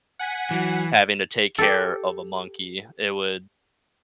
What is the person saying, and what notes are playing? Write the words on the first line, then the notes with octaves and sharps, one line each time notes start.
having to take care of a monkey. It would
F#5 G#5 B6
E3 F#3
G4 A4